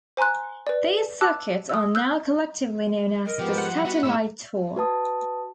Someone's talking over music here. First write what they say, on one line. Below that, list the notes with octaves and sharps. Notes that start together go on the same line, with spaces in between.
These circuits are now collectively known as the Satellite Tour.
C5 G#5 A#5 C6 F#6
B4 D5
A5 D6 E6 F#6
D#6 E6
E6 F#6 G6
A#4 D#5
G#2 F3 B3 G4
F#5
G3
B3 F#4
G#2 G#3 A3 C#4 E4 E6
F#4 B4 A5 D#6